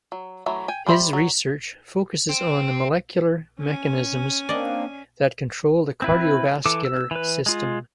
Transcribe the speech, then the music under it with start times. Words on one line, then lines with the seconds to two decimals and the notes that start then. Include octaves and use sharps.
His research focuses on the molecular mechanisms that control the cardiovascular system.
0.12 F#3
0.46 E3 F#3 A3
0.68 G5 G#5
0.86 G3 D4 C5 E5 B5
1.13 F#3
2.29 C4
3.59 C#4 G#5
4.49 A#3 C4 D4 D5 D#5
6.02 C4 E4 B4
6.66 E3 A4 D6
6.85 E6
7.11 E3 B4
7.46 G#3 F4